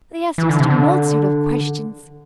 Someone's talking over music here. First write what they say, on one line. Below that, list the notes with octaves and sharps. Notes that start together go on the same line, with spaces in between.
They asked him such a multitude of questions!
E3
D3
C3
D3